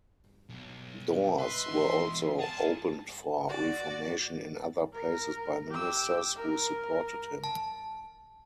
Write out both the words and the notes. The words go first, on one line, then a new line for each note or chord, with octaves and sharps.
Doors were also opened for reformation in other places by ministers who supported him.
B1
B4 D#5 E5 C6
E2 B2
G#4 A#4 A5
F#4 D5
A#4
G4 E6
A#4
A5